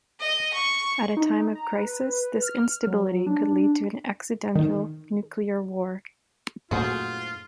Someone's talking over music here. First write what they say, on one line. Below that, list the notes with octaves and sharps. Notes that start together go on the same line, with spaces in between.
At a time of crisis, this instability could lead to an accidental nuclear war.
D#5
C#6
D#4
A#5
B4
F6
F#3
D4
D#3
F#2 A#2 A3 F4 F#4 G#4 C5